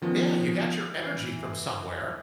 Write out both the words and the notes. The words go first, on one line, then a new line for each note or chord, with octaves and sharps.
Yeah, you got your energy from somewhere.
D#3 F3 B3 C#4
E3 C7